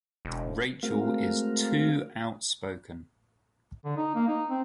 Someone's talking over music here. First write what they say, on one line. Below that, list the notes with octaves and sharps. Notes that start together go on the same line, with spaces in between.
Rachel is too outspoken.
E1
G#3 A3 C4 F#4 A#4 F5
D3
D#4
A#3
D#4
C4